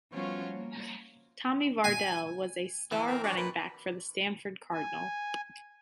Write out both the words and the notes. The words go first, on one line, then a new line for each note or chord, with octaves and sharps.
Tommy Vardell was a star running back for the Stanford Cardinal.
F3 G3 B3 C#4 F4 F#4
A#3
G#5
E3 G#3 E4
C4 A#4
D4 F#4
A#2 B4
G#5